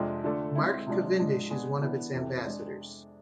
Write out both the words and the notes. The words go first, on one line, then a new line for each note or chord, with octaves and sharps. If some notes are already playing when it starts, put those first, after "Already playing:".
Mark Cavendish is one of its ambassadors.
Already playing: F2 C3 G#3 D4 F4
D3 A3 D4 F4 A4
G#3 C4 E4
C3 F3 G#3 D4 F4
G#2 F3 G#3 D4
G#3 B3 D4 G#4
E3 B3 D4
F2 C3 E3
G#3 D4